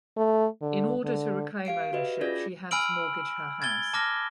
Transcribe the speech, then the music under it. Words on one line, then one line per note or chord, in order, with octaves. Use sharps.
In order to reclaim ownership she had to mortgage her house.
A3
D3
D3
G4 F5 C7 D7
F#4 G4 B4 D#5 E5
C#4 F4 G#4 D5 G#6 A#6
G#5 B5 E6 F6 D7 F#7
G#6 A6 G7
A5 D6 F6 A#6